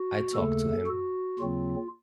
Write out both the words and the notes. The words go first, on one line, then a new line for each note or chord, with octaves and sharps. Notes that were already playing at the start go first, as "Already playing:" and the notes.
I talk to him.
Already playing: F#4
D#2 C#3 A3 A4
F#4
D#2 C#3 F#3 C4 F4